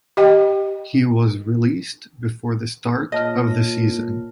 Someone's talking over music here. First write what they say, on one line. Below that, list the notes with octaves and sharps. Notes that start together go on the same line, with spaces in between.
He was released before the start of the season.
G4 D#5 G5
A#2 C#5 D#5 A5 F6